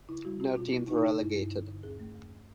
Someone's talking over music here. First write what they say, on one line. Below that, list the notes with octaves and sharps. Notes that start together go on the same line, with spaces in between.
No teams were relegated.
C#3 E4
G3 F#4
C4 F#4
B2 F4
B2 E4
C#3 D#4
D#4
C#3 E4
G2 E4
G2
D3
D3
D#2 G#4
A3
E2